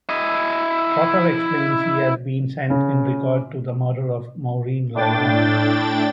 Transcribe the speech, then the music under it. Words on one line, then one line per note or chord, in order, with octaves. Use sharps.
Trotter explains he has been sent in regard to the murder of Maureen Lyon.
E4 D#5
C#3
A2 D4 G5 A6